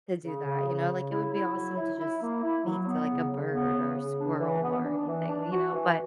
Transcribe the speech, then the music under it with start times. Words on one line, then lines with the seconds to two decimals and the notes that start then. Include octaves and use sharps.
to do that, you know, like it would be awesome to just speak to like a bird or a squirrel or anything, you know? But
0.23 C#3
0.45 C#3
0.67 C#3
0.89 C#3
1.11 E4
1.34 E4
1.55 F#3
1.77 E4
1.98 E4
2.21 A#3
2.43 E4
2.65 F#3
2.87 B3
3.09 C#3
3.30 C#3
3.53 B3
3.74 C#3
3.97 C#3
4.18 D4
4.40 E3
4.62 B3
4.84 D4
5.06 E3
5.28 D4
5.50 F#4
5.72 E3